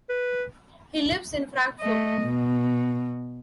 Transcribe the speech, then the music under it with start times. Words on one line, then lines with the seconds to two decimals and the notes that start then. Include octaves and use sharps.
He lives in Frankfurt.
0.09 B4
1.80 A3 D#5
2.22 B2